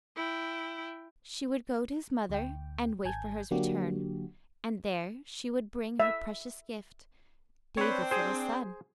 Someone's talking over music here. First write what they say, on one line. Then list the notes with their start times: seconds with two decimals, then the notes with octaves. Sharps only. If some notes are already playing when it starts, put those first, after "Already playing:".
She would go to his mother and wait for his return, and there she would bring her precious gift--David's little son.
0.16 E4 G5
2.29 D2 G5
3.05 G#1 G#5 A5 G6 G#6
3.51 D3 F#3 A#3 D4 F#4 G4
6.00 E5
7.77 C4 D4 B4 C#5 G5
8.11 G#4 C5